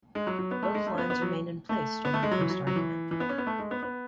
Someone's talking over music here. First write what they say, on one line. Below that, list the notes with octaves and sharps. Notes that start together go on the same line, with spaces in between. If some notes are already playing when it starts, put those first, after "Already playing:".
Both lines remain in place during the first argument.
G#3
F#3
F#3
B3
A3
G#3
A3
C#4
B3
B3
F#3
A3
B3
A3
G#3
F#3
E3
F#3
F#3
E3
E3
B3
C#4
B3
A3
G#3
B3
B3